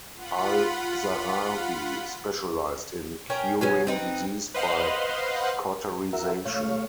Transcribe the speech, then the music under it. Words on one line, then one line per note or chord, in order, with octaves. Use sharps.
Al-Zahrawi specialized in curing disease by cauterization.
F4 F#5 B5
C#4 A#4 G5
F#3 B3 C#4
C4 D#4 B4
B4 C5 D#5 F5 F#5 C6
F#4 A#4 E5
D#3 A3 C#5 F5